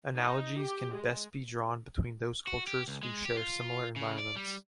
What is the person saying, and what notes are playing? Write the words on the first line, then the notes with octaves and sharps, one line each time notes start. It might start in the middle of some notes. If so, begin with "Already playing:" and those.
Analogies can best be drawn between those cultures who share similar environments.
D#4
G4
G#3
F#4
G4
C#2
G#3
G4
F4
C#3
D5
G3